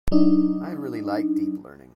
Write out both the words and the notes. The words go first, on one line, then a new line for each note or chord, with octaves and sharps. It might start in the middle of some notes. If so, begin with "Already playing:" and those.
I really like Deep Learning.
F#3 D4 D#4